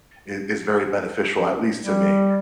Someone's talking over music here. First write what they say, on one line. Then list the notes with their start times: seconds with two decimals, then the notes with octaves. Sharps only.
is is very beneficial, at least to me.
1.81 G3